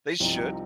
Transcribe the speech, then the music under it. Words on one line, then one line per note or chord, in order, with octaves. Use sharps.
They should.
C2 C3 F3 C4 D#4